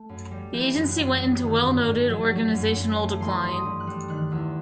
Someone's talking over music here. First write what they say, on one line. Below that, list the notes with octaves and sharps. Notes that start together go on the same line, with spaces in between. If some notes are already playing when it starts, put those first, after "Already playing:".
The agency went into well-noted organizational decline.
Already playing: A3
F#2
G3
E3 G6
F#2
F#6
F#2
G3
D#3
G2
G2
F#3
F#3
F#2
F#2
A3
E3 C6
G2
D#6
G2
F#6
G3
D#3 F#6
E2 E6